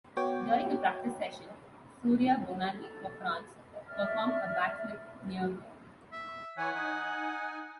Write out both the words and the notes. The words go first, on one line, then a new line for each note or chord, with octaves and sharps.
During a practice session, Surya Bonaly of France performed a back flip near her.
B3 F#4 C#5 G5 D6
A4
D5 E5 F6
E5
E3 C#5 F#5 G#5
D#4 G#5